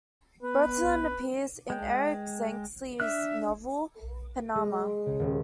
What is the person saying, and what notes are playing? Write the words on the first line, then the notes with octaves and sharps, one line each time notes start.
Bertillon appears in Eric Zencey's novel "Panama".
B3 B4
G#3 G5
D4 E5 F6 F#6
G#3
C6
C#3
D#1